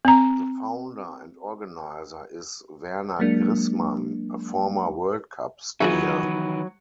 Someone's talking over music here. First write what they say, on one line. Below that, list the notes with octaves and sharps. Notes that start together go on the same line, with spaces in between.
The founder and organiser is Werner Grissmann, a former World Cup skier.
C4 A#5
F#3 G#3 A#3 D4
D#3 E3 F#3 B3 F4 G#4 E5